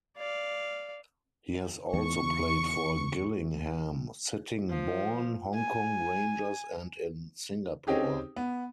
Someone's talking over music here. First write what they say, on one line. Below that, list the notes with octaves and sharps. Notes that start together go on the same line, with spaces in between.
He has also played for Gillingham, Sittingbourne, Hong Kong Rangers and in Singapore.
D5 F5
E2 C#6
F3
G#5
C4 C#4 D#4 G4 G#4
B3